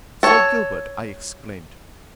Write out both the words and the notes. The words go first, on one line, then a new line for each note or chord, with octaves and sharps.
"Sir Gilbert!" I exclaimed.
A4 C#5